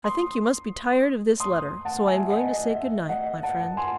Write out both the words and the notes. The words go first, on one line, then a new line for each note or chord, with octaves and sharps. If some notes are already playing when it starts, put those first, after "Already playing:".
I think you must be tired of this letter, so I am going to say good-night, my friend.
C6 D#6
C6 D#6
F#5 A5
E5 G#5
D#5 F#5
D#5
E5
D#5 F#5
F#5 A5
G#5 C6